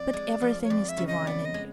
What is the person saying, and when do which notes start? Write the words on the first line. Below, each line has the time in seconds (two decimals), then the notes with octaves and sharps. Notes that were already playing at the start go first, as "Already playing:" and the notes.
But everything is divine in you....
Already playing: F2 D5
0.13 G#3
0.41 F3
0.64 C#5
0.70 F2 D5
0.89 E5
0.98 C#3
1.07 D#5
1.27 B3 D5
1.45 D#5
1.54 G#3